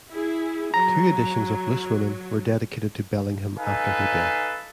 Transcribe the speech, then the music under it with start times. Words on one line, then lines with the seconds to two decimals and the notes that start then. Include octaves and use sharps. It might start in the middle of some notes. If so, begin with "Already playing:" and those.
Two editions of "Loose Women" were dedicated to Bellingham after her death.
0.11 E4 G#4
0.74 F#3 A#5
3.58 D#4 A4 B4 F5 G#5